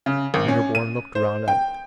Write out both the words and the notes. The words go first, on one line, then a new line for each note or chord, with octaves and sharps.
Winterborne looked round at it.
C#3
G#1
C#4
D#7
C5
G5